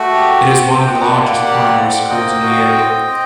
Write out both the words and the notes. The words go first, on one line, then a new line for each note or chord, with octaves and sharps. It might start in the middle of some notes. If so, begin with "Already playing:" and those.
It is one of the largest primary schools in the area.
Already playing: A3 F#4
G4
C4
G4 G5
F#5
D#5
D5 F#5
A#3
G4
C4
A#3 D#5 G5
F#4
C4
C4